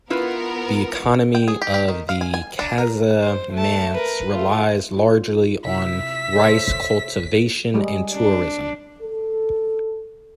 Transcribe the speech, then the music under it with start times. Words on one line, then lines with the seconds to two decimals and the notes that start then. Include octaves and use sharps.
The economy of the Casamance relies largely on rice cultivation and tourism.
0.10 B3 E4 F4 A#4 B4
1.35 G5
1.48 G#4
1.62 G4
1.74 G4
1.88 D#3
2.09 F5
2.21 G#5
2.34 G#5
2.59 D4
2.78 A#4
3.21 C5
3.53 A3 A5
3.93 A#4 B4
4.31 A3 F4
4.97 F4
5.64 C3 E4 E5 B6
6.36 A4 C5 C#5
7.74 G3 G#3
8.13 D4
9.01 A4